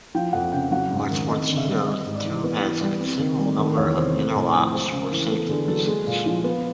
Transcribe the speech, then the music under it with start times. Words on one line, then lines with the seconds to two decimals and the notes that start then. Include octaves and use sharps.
A torpedo tube has a considerable number of interlocks for safety reasons.
0.15 F3 G5
0.33 F2 F#5
0.52 C#3 G5
0.71 F#3 F#5
0.90 G#2
1.10 D#3
1.29 C4 D#5
1.48 D3
1.57 E5
1.68 G3
1.87 G3 D#5
2.06 G#2
2.15 D5
2.25 E3
2.44 B3
2.62 E3
2.81 G3
3.01 C4
3.19 D#3
3.38 G3
3.59 D#3
3.77 E2 C#5
3.96 C3 C5
4.15 A3
4.35 A2
4.54 F3
4.72 G#3 C5
4.92 C#3
5.02 A#4
5.11 E3
5.29 B3 A4
5.49 D3 G#4
5.68 F#3 A4
5.87 G#3 G#4
6.07 A#2
6.26 F3
6.44 B3